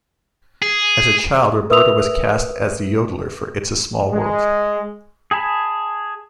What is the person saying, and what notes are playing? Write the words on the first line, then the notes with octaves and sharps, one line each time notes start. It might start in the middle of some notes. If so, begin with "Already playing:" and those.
As a child Roberta was cast as the Yodeler for "It's a Small World".
G#4
A#4 B4 E5 D#6 E6 F7
G#3
G#4 G#5 A5 B5